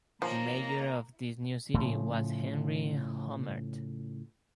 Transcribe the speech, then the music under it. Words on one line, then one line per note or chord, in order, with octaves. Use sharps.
The mayor of this new city was Henry Hummert.
D#3 F3 A#3 C#4 A#5
A2 C#3 F3